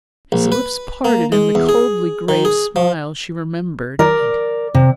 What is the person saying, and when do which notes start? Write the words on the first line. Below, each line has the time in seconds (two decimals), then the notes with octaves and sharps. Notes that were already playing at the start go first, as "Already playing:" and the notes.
His lips parted in the coldly-grave smile she remembered and hated.
0.32 A#1
0.52 B4
1.05 A#3
1.32 G#3
1.55 E2
1.69 G#4
2.29 D#3
2.45 G#4
2.76 F3
3.99 A#4 D5
4.75 C3